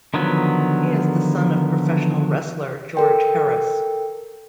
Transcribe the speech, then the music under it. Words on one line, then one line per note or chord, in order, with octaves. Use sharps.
He is the son of professional wrestler George Harris.
D3 D#3 F3 F#3 B3
A4 A#4 G5